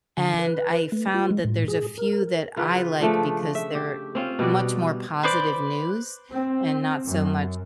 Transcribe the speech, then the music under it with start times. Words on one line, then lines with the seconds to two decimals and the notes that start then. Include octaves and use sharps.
and I found that there's a few that I like because they're much more positive news and not so much
0.17 D3
0.39 B4
0.92 A3
1.14 F4
1.31 G#3
1.45 A2
1.68 G#4
1.98 A#4
2.56 C#3 F4 B4
3.00 C#3 F3 A3 D4
3.55 E5
3.75 G4
4.15 C4 C#4 F4
4.39 B2 G3 F#4 D5
5.23 B4 C5 D5 D6
6.31 C4
7.05 F#2